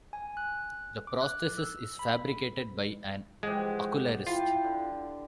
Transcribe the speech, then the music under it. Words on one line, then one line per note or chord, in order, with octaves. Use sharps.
The prosthesis is fabricated by an ocularist.
G#5
F#6
D6
F#6
E6
B5
E3 F3 G#3 G4 C5 F#5
E4 F4 C5 G5 B5
D3